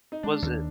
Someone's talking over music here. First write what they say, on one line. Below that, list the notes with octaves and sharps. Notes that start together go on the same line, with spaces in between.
Was it
D#4
G#3 D4
D#2